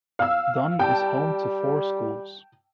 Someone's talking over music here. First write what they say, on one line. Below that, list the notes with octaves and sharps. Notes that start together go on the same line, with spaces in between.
Dunn is home to four schools.
F5 E6
G3 G5 A5